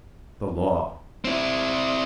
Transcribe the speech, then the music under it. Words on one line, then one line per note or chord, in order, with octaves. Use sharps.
The Law.
C4 E4